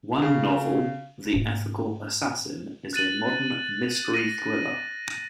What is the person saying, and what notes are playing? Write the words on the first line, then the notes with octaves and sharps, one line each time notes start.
One novel, "The Ethical Assassin", is a modern mystery-thriller.
C#3
G#2 A#3
F#6 A6 D#7 F#7
A#6 D#7